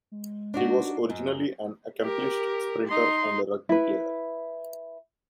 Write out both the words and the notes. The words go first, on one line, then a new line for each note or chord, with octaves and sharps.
He was originally an accomplished sprinter and a rugby player.
G#3
D4 D#4 F#4
C7
F#2 D#5
G4 A#4
D#4 C6
E4 B4